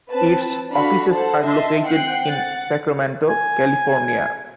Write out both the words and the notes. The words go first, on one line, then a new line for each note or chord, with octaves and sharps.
Its offices are located in Sacramento, California.
C4 B4 A5
D4 F#4 A4 F5 B5
A4 C5 F#5 A5
D#5 E5 A5 C6
C4 F#5 G5 F#6 C7
F#5 A6
G#5